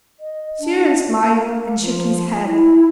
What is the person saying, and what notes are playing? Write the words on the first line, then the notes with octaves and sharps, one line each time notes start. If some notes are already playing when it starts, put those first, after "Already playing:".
Cyril smiled, and shook his head.
D#5
D4
A#3
F3
E4